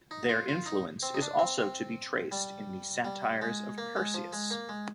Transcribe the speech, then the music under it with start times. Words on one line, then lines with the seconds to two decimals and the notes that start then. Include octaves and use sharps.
Their influence is also to be traced in the satires of Persius.
0.11 D#4
0.29 F4
0.48 F4
0.66 D#4
1.03 C4
1.14 D#4
1.22 D4
1.39 C4
1.58 C4
2.32 G3
3.05 G3
3.42 G#3
3.78 A#3
3.96 G#3
4.14 F3
4.33 G#3
4.51 A#3
4.69 G#3